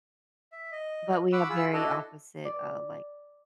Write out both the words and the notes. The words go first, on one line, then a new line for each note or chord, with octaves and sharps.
but we have very opposite, uh, like,
E5
D#5
F#5 B5 C#6 D6 E6
F4 G#4 B5 E6
D4 E4 F#4 A4 D#5
D5